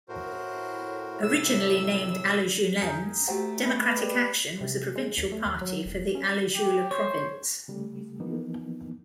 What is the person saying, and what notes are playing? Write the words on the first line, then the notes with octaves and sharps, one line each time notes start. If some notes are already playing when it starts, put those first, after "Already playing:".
Originally named Alajuelense Democratic Action was a provincial party for the Alajuela Province.
A2 F#4 A#4 C5
C3 E6
F2 G#4 A#4 G5 F6 C#7
A3 F#4 G4 C5
B4 D#5 E5 C#6
G3
C3
G#3
D#2
A3
D#2
F#3
E1
C#4
G4
C5 C#5
C#3 G3 A3
E3 F3 A#3 B3 D#4